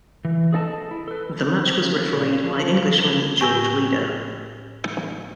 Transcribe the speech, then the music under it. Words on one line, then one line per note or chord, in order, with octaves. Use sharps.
The match was refereed by Englishman George Reader.
E3
G#4 A4 D#5 A5
E4
A4 B4
C4
C#3
A#2
F3
A#4
A2 G4 G5 G#5 E6 A#6